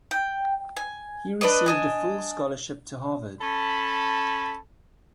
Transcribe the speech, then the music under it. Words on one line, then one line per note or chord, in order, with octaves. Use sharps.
He received a full scholarship to Harvard.
G5
G#5
D4 B4 D5 D#5
D4 D#5 G#5
C#4 A4 A5 B5